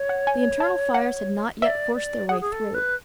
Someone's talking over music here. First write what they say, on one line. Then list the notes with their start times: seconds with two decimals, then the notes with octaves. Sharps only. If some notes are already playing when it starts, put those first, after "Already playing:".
The internal fires had not yet forced their way through.
Already playing: C#5
0.09 F#5
0.27 G#5
0.60 A5
0.94 F#5
1.62 D5 E5
1.95 D5
2.29 G#4 F#5
2.41 G#4
2.52 A4
2.74 B4